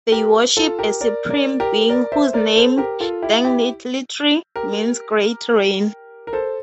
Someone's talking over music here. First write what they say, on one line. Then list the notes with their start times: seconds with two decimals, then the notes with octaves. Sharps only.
They worship a supreme being whose name, Dengdit, literally means Great Rain.
0.12 G4 A#4
0.57 F4 A4
0.79 G4 A#4
1.01 A#4 D5
1.30 A#4 D5
1.60 G4 A#4
1.89 A#4 D5
2.12 C5 E5
2.34 A#4 D5
2.56 A4 C5
2.78 G4 A#4
3.00 F4 A4
3.23 E4 G4
3.45 E4 G4
4.56 G4 A#4
6.27 A#4
6.33 A4 C5